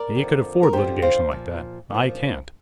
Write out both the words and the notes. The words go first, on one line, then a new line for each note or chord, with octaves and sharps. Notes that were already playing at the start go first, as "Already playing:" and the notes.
He could afford litigation like that; I can't.
Already playing: A#4 D5
F2 D3 F3
A#4
F2 D3 F3 G4 C5
C5 F5
A#2 F3
A#2 F3